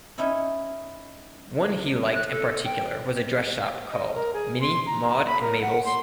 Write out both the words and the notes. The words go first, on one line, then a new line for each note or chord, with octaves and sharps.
One he liked in particular was a dress shop called "Minnie, Maude and Mabel's".
C#4 D#4 E4 C#5 E5 B5
F#6
A4
G5
D#5
A#4
G#4
C6
A#5
B5
A#4
F#5
C6